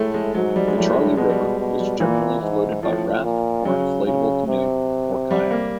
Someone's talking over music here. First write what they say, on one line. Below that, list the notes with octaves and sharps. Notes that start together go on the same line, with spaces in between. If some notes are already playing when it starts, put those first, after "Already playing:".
The Charley River is generally floated by raft or inflatable canoe or kayak.
Already playing: A2 G#3 A3
G#3
G#2 F#3
G3
G#3
A2 G3
G#3
G3
B2 G#3
G3
B2
G3
A#2 E3
G#2
A2 F3
A#2
C#3 F#3
C#3
C3
G3
A#3